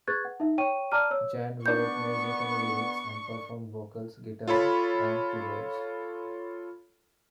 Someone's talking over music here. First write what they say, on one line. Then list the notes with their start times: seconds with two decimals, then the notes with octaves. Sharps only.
Jan wrote music and lyrics and performed vocals, guitar and keyboards.
0.07 G#4 B4 C#6 F#6 G#6 A6
0.25 F#5
0.40 D#4 E5
0.58 C#5 G5 C#6 D#7
0.92 D5 A5 A#5 D6 F6 D#7
1.11 C#5 E6
1.66 B3 D4 B4 C#6 G6
4.48 F4 A4 C#5 B5